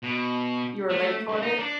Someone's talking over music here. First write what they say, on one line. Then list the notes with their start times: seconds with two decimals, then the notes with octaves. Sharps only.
You were late for it?
0.03 B2
0.90 A3
1.28 C2
1.42 D#4
1.59 D4